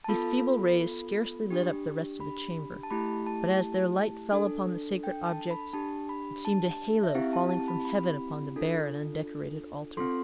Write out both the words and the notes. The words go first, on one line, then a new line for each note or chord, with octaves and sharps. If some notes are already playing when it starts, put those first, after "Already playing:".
These feeble rays scarcely lit up the rest of the chamber, but as their light fell upon the sacred objects it seemed a halo falling from heaven upon the bare and undecorated altar.
A5
B3 F4 A4 B5
D4 G4
B5
A5
A3 E4 G4 B5
A5
D4 A4
G5
A5
B5
D4 G4 A5
B5
A5
E5
C4 E4 G4 F5
A5
A5
B5
B5
D4 F4 A4
C4 F4 A4 C6